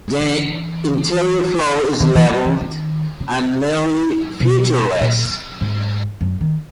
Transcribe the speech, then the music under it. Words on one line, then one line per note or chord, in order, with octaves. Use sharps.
The interior floor is level and nearly featureless.
E3
D#3
E3
F#3
E3
D#3
C#3
B2
A#2
G#2
F#2
D#3